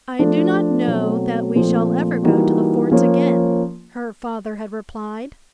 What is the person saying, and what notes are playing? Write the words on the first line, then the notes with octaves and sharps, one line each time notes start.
"I do not know that we shall ever go to the forts again," her father had replied.
F3 A3 D4
B2 F#3 A3 C4
A#2 F3 A3 C4
E3 G3 A#3 D#4 F#4
F3 A#3 C#4